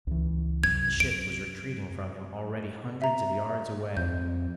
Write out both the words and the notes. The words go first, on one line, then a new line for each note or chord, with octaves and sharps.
The ship was retreating from him already hundreds of yards away.
C#2 E3
C2 F#2 G#6
F#2 D7
E5 A#5
F2 G6